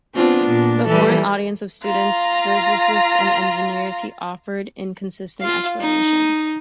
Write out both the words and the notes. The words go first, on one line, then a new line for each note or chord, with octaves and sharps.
Before an audience of students, physicists and engineers he offered inconsistent explanations.
B3 C4 D4 F4
A#2
E3 G3 A4 B4
F4 A#5
F4 F5
D#4